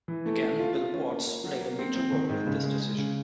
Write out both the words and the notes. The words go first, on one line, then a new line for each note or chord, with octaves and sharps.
Again, Bill Watts played a major role in this decision.
E3
A3
A3
F4
F4
C#4
A#3
A#3
F#3
A#3
C4
C4
D#3
G#2
C#3
G#3
G#3
C#3